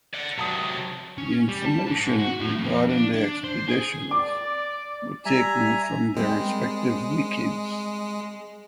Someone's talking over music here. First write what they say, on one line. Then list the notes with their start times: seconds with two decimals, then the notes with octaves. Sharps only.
The information regarding the expeditions were taken from their respective wikis.
0.14 D5 F#5
0.38 C3 F#3 A5 D#6
1.18 C#4
1.48 G3
1.66 A5
1.87 G#2
2.19 F#4
2.40 A2
2.58 F2
2.89 D4
3.15 D4
3.44 C5
3.68 G#4
4.11 D5 D6
5.26 G3 E5 G#5 A#5
6.17 G3 G#3 A#3 C4